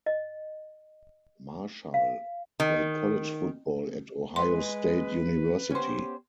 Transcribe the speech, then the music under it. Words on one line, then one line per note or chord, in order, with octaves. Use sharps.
Marshall played college football at Ohio State University.
D#5
F5
D#3
G#3 B4 C6
B3 C#4 G4 C5